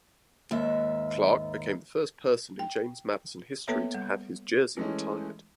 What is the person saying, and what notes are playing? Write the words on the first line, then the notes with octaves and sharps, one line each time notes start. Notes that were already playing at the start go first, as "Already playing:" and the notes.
Clark became the first person in James Madison history to have his jersey retired.
D#2 G#2 E5
G5
A#3 B3 A4 B4 C#5 E5
G3
E3 G#3 A3 C#4